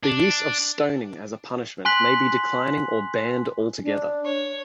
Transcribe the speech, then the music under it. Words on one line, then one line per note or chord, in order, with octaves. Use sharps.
The use of stoning as a punishment may be declining or banned altogether.
D4
G#5 C6 F#6 B6 F#7
D4
C#5